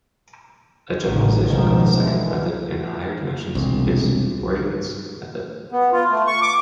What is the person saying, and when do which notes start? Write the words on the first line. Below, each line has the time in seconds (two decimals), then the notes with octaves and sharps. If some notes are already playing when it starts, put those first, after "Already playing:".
A generalization of the secant method in higher dimensions is Broyden's method.
1.04 A1 D#3
1.48 G1 C#2 B2 D#3 F3
1.94 D3 E3
3.55 E1 C2
5.72 B3
5.92 F4
6.10 A3
6.27 C#6
6.42 D6